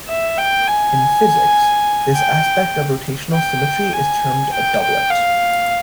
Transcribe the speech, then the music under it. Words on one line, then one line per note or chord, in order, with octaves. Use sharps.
In physics, this aspect of rotational symmetry is termed a doublet.
E5
G5
G#5
G5
G5
G#5
G5
G5
F5